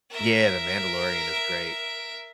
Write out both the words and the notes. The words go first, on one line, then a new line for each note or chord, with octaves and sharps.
Yeah, The Mandalorian is great.
A#4 E5